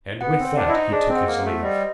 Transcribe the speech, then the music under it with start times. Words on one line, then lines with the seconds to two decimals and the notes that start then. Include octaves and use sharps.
And with that he took his leave.
0.21 B3 F#5
0.39 C4
0.45 C5
0.56 D4
0.68 E4 D#5
0.74 D#4
0.92 D4 G#4
1.09 C4
1.15 F#5
1.27 A#3
1.39 C5
1.45 A3
1.63 G3 D#5